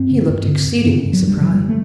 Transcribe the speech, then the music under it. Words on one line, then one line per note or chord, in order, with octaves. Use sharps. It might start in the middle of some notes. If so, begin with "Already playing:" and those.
He looked exceedingly surprised.
Already playing: G2 C4
D3
G2
D3
G2
G2 B3
G2
F#3
G2 G3
D3 F#3
G2 G3
A3